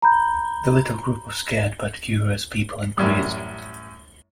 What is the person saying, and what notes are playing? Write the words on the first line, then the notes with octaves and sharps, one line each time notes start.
The little group of scared but curious people increased.
A#5 B5 G6
A1 F#2 G3